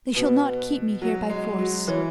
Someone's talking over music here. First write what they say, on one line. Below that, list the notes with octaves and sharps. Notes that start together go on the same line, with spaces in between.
They shall not keep me here by force.
B2 B4
F#3
G#3
F#3
E3 C#5